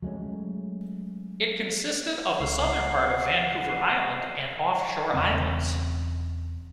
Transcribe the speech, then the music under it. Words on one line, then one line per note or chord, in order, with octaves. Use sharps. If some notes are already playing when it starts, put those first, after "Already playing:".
It consisted of the southern part of Vancouver Island and off-shore islands.
F#3 G#3 A3 C#4
C#2 F#5 C7
E1 E2 C#3 C4